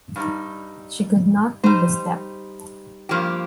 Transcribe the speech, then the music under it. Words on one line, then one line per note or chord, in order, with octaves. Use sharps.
She could not move a step.
G2 G3 D#4
G3 D#4 C5
G2 F3 A#3 G4